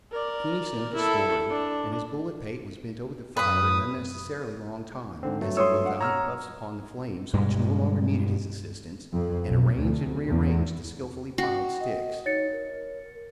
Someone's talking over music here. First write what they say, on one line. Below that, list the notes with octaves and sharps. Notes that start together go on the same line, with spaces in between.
Coonie scented a story, and his bullet pate was bent over the fire an unnecessarily long time, as he blew valiant puffs upon the flames which no longer needed his assistance, and arranged and rearranged his skilfully piled sticks.
A#4 D5
E4 A4
D4
F#2 B4 B5 D#6
G#2 D3 C4
G2 F#3 A3
F#4 B4 C#5 C6 D#6 E6
F#5
C#5 A#5 E6 F6
G2 B2 G3 G#3
F2
B1
D2
E2
C#4 F#4 G5
D#5
D#4 C#5 A6 C#7
A#4